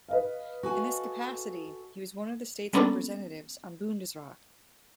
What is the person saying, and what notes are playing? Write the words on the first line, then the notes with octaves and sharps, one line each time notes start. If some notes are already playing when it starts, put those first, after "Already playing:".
In this capacity, he was one of the state's representatives on the Bundesrat.
B4 D#5 F5
F#4 A4 G#5
G3 A#3 B3 C#4 D4 A4